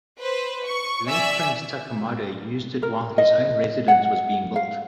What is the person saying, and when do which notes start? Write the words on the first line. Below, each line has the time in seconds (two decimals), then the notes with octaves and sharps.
Late prince Takamado used it while his own residence was being built.
0.20 B4 C5
0.65 C#6
1.09 D5 E5 G#5 E6
2.83 A#4
3.18 D#5
3.88 F#5
4.56 F5